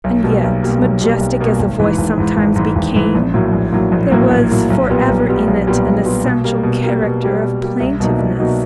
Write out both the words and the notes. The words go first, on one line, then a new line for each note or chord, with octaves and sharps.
And yet, majestic as the voice sometimes became, there was for ever in it an essential character of plaintiveness.
B1
B2 G3 A#3
B1
B2 G3 A#3
B1
B2 G3 A#3
B1
B2 G3 A#3
G#1
G#2 E3
G#1
G#2 E3
G#1
G#2 E3
G#1
G#2 E3
A#1
A2 F#3 A#3
A#1
A2 F#3 A#3
A#1
A2 F#3 A#3
A#1
A2 F#3 A#3
B1
A#2 G3 B3
B1
A#2 G3 B3
B1
A#2 G3 B3
B1
A#2 G3 B3
B2
G3 A#3
B2
G3 A#3
B2
G3 A#3
B2
G3 A#3
C2
B2 F#3 A#3 D#4
C2
B2 F#3 A#3 D#4